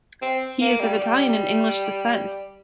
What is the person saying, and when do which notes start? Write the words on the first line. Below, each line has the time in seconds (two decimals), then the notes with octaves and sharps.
He is of Italian and English descent.
0.22 C4
0.61 A#3
0.80 G3
0.99 G3